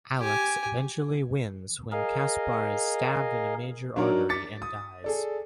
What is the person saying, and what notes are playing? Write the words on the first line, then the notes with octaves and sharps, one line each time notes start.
Alex eventually wins when Kaspar is stabbed in a major artery and dies.
G4 G#5
G#4 A#4 D#5 F5
F#3 D4 D#4 F#4 A#4 C#5
D6 A6 B6 C#7
D#6
G#4 A4 D5